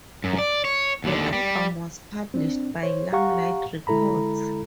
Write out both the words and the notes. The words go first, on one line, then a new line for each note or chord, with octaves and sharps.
The album was published by Limelight Records.
F#2
D5
C#5
D#2 D3
G3
C4 D4
C5 C#5
G4 F5 F#5 A#5 C#6
D3 G#3 E4 A4 A#5 B5